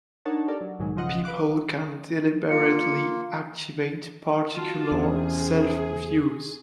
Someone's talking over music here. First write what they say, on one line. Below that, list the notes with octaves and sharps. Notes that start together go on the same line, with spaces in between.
People can deliberately activate particular self-views.
D4 D#4 A#4 C#5 F#5 A5
G4 A4 A#4 D5
F#3
B1 G#2 D#3 F#3 G#3
B1 C#3 F3 F4 D#5 F#5
B4 F5 D6 F#6
A#3 F4 C#7
F4 F#4 A5
E2 C3 C#4 G#4